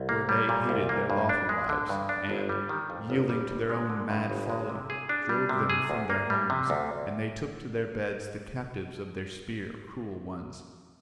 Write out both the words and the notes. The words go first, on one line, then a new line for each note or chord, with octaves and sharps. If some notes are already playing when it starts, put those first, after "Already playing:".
For they hated their lawful wives, and, yielding to their own mad folly, drove them from their homes; and they took to their beds the captives of their spear, cruel ones.
Already playing: C2
A#3
G3
A#2
C2
A#3
G2
D4
G#3
D3
G2
D4
G1
G3
D#3
F2
G1
G3
G1
G#3
D3
G2
G1
G#3
C3
G#4
D4
G3
C3
G#4
D2
A#3
G3
C3
D2